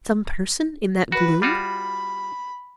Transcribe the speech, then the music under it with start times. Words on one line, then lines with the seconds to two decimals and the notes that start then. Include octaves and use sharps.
Some person in that gloom?
1.12 F#4 B4
1.42 G3 F4 F#4 B5